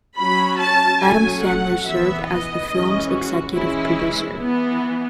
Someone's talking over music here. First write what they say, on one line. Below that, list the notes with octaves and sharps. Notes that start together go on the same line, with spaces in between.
Adam Sandler served as the film's executive producer.
F#3 C#4 B5
A5
F#3 A3 C#4 G#5
F#5
E3 B3 E5
D#5
E3 G#3 C#4
F#4
E3 G#3 C#4 E4
E3 B3